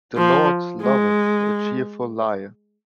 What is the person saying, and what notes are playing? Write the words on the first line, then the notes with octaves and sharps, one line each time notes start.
The Lord loveth a cheerful liar.
F3
G#3